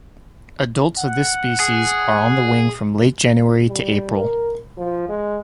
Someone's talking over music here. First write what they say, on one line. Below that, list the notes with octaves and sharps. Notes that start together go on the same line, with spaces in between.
Adults of this species are on the wing from late January to April.
F#5
G#4
G3
A#4
F3
G#3